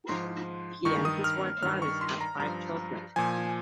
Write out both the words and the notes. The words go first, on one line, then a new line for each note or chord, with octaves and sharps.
He and his wife Gladys had five children.
G#2 F3 C6
G2 D#3 C#6
D#6
F6
G2 D#3 F6
C#6
C6
A#5
G2 F3 A#5
A#2 F3 G#5